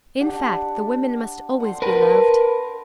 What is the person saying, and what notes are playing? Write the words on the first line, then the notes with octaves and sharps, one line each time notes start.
In fact, the women must always be loved.
D4 G4 F#5
F#5 G5 C6
A#4 B4 F5 G5 A5